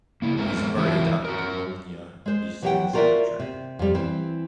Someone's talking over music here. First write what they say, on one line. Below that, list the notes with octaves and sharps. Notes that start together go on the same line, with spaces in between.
He is buried at Boulogne Eastern Cemetery.
A#3 E4
G#3 A3 C4 G#4 A#4
E3 C4 E4 F4 A#4
F#4 A#4
G#3 C5
E3 F#3 G4 C#5 F#5 G5
F4 F#4 A#4 C#5 D5 E5
C3
F2 G3
E3 C4